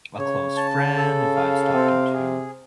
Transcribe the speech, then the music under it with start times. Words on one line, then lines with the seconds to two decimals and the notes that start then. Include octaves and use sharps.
a close friend, if I was talking to
0.18 C#3 C#5
0.57 A5
0.96 A4
1.36 F5
1.75 C3 C4
2.13 G#4